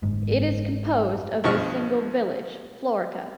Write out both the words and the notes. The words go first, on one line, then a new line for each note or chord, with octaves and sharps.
It is composed of a single village, Florica.
F#1 G#2
B1 G2 B2 F3 C#6 F6